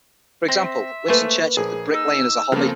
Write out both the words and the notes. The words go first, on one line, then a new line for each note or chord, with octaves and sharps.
For example, Winston Churchill did bricklaying as a hobby.
C4 E5 C6 A#6
A3 A#3 B4 C5 G#5 C#6
A#1 G#4
D#4 E6
G2 C#3 F3 A#3 C4 A4